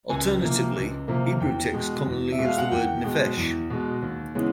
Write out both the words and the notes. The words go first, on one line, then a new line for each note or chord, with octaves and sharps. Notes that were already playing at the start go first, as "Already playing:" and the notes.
Alternatively, Hebrew texts commonly use the word "nephesh".
C#2 G#5
C3 F3 A#3
C#2
C3 F3 A#3
E2 G5
B2 G#3
E2
E5
B2 G#3
F5
F#5
E2 G5
B2 G#3
E2
B2 G#3
D#2
C#3 E3 G#3 B3